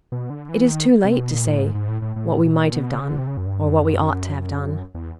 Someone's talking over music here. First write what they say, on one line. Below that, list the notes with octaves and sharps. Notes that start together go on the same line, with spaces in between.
It is too late to say what we might have done or what we ought to have done.
B2
D3
E3
D#3
C3
B2
A#2
A2
G#2
G#2
A2
A2
A2
A#2
B2
C#3
D3
C3
C#3
F#2
G2
F#2
E2